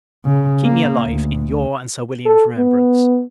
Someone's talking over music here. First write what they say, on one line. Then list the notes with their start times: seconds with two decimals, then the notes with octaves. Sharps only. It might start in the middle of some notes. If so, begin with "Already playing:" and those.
Keep me alive, in your and Sir William's remembrance.
0.25 C#3
0.64 A#3
1.05 D2
2.26 A4
2.58 B3